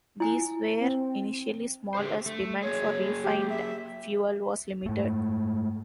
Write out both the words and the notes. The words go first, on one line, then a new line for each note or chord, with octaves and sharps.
These were initially small as demand for refined fuel was limited.
E4 G#5
C4
D3 G4 C5
A3
F#3 A#3 G#4 C#5
G4
E5
G#2 A3